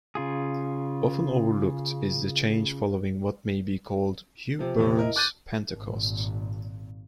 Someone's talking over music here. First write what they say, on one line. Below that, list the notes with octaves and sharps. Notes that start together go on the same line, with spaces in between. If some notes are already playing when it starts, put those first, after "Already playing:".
Often overlooked is the change following what may be called "Hugh Bourne's Pentecost".
C#3 F4 G#4
C3 F3
E2 C3
E4 A#4 D#5
D6 F#6 G6 A6 D#7
G#1 A#2